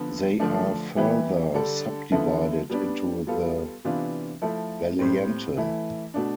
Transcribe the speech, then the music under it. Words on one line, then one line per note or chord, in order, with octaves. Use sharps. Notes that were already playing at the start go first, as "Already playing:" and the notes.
They are further subdivided into the Valiente.
Already playing: D3 F3 B3
D3 F3 A3 D4
E3 G3 B3 E4 G4
D3 G3 D4 A4
D3 F3 B3 E4 A4
G3 B3 D4
G3 B3 F4 A4
C3 E3 B3 D4 F4
F3 A3 E4 A4
A2 G3 C4
E3 A3 E4
B2 A3 D4